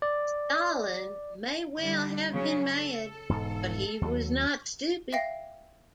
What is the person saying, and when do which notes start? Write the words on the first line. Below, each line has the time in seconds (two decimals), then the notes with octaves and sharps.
Stalin may well have been mad but he was not stupid.
0.02 D5
1.77 D3 G3
2.31 C#3 F#3 C#4
2.74 A4
3.29 E1 G#2
4.01 D#2 F#3
5.13 E5 F5 G5 A#6 C7